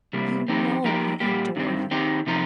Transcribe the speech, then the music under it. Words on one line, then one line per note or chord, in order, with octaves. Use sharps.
You know I adore you.
C3 G3 A#3
F2 D#3 C4 D#4 G4
F3 A#3 D#4 G4 A#4
A#2 G3 A#3 G4
G2 D#3 C4
D#3 C4 D#4 G4
C3 F3 D#4 A#4